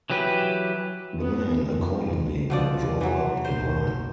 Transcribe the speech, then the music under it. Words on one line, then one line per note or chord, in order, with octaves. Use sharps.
The men, accordingly, were drawn up in line.
E3 F#3 G4 B4
B3
F2
C2
B2 F3 D5
E3 F#3
F#1 B1 C5